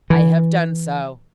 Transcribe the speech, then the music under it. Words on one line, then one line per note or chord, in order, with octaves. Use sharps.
I have done so.
E3